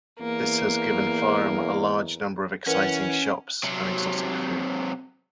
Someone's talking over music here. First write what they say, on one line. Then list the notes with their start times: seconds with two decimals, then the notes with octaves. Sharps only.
This has given Farum a large number of exciting shops and exotic food.
0.20 E2 A#3
2.67 E3 C#4 A#4 B4 F#5
3.63 C3 F#3